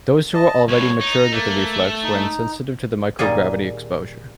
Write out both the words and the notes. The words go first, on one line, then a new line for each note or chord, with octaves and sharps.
Those who were already matured with the reflex were insensitive to the microgravity exposure.
D#5 A5
C2 A2 C#5
D#4
A3 A#3
D#4
A#2 D#3 G3 G#4